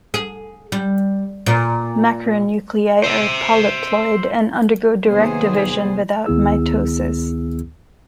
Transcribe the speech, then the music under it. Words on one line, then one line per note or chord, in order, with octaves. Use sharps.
Macronuclei are polyploid and undergo direct division without mitosis.
G#4
G3
A#2
C5 E5
D#2 C3 F#3 B3 G#4 C5
D2 D#3 B3 E4 G#4 E6